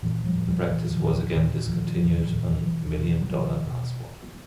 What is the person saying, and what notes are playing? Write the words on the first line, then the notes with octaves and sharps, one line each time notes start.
The practice was again discontinued on Million Dollar Password.
A#2 E3 F#3
F3 G3
A#2
F3 G3
A#2 E3 F#3
D#3 F3
A#2
D#3 F3
A#2 D3 E3
A#2 D#3 F3
A#2 D#3 F3
D#3 F3
A#2
E3 F#3
B2 E3 F#3
B2
F#3
B2 D#3 F3
B2